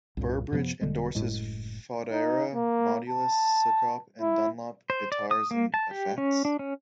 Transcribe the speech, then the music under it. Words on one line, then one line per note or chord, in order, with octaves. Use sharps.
Burbridge endorses Fodera, Modulus, Sukop and Dunlop guitars and effects.
C2 G2 A#2
F#2 C3 F3 B3
E1 D3 G3 G#3
F#1 D#2 A2 G#3
D#4
A#3
A5
E4
C5
D5
D#6
A#3
A5
G4
C#4
D4
C#4